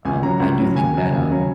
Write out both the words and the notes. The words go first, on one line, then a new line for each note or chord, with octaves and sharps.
um, I do think that, um,
C#2 G#5
C#3 F#3 A#5
C#2
C#3 F#3
D#2 G#5
C#3 F#3
D#2
C#3 F#3